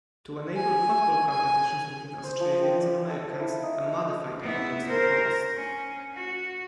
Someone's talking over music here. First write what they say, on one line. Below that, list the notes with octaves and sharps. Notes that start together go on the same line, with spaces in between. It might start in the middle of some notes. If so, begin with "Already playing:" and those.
To enable football competitions between Australians and Americans, a modified code was proposed.
G#5
G#5
C5
F3
G5
D5
A4
A4
E4
D#4
D#5
B3 E4
A#4 C5
C#4
F#4